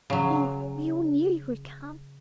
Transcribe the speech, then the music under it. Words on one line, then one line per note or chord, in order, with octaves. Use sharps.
'Oh! we all knew you would come.
C#3 F#3